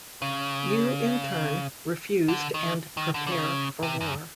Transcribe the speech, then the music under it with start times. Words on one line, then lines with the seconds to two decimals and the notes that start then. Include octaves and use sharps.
Yu in turn refused and prepare for war.
0.22 C#3
2.28 D3
2.54 D#3
2.97 D#3
3.14 D3
3.27 D3
3.32 C#3
3.83 C3
4.01 F#2